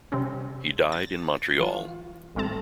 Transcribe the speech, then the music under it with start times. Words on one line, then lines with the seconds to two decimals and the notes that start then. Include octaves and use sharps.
He died in Montreal.
0.12 C3 G3 C4 C#4
0.92 A6
1.60 E3 F4
2.35 A1 G3 A3 C4 A5